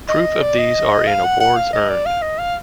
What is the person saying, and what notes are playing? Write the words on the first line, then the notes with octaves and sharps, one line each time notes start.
Proof of these are in awards earned.
D#5
D5
D#5
F5
F#5
F#5
F5
D#5
D5
F5
D#5
F5